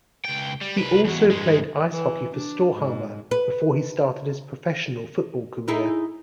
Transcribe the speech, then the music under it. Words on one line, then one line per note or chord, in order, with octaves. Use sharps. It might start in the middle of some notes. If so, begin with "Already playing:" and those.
He also played ice hockey for Storhamar before he started his professional football career.
C#2 G5
G3
C2 B4
E2 F#3
G2 G#3
E3
D4
G#2
B4
D#4 E4 G#4